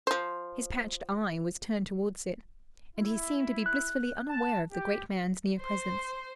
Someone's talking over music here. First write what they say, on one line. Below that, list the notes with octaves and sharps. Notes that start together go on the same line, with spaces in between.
His patched eye was turned towards it, and he seemed to be blissfully unaware of the great man's near presence.
F3 C5
E4
F#6
A5
G4
C5 C6